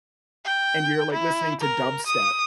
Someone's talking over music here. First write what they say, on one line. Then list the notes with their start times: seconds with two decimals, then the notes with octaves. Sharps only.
and you're, like, listening to dubstep
0.45 G5
1.12 E4
1.60 A#4
2.06 D#6